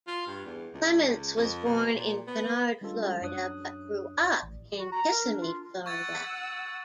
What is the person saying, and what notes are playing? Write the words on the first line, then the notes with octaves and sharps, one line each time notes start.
Clements was born in Kinard, Florida, but grew up in Kissimmee, Florida.
F4
G2
E2
C#2
F2
B2
A#2
B3
G3 G#3 C#4 D4 F4 A4
F#2 D4 C#5 D#6 F#6
D5
A1
F#4
A#5
A#4
D4
F4
F#5 C#6 E6 G#6 A6